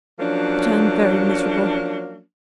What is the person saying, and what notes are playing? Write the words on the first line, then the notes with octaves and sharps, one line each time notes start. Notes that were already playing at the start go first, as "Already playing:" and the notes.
But I am very miserable!
F3 F#3 A#3 C#4 D4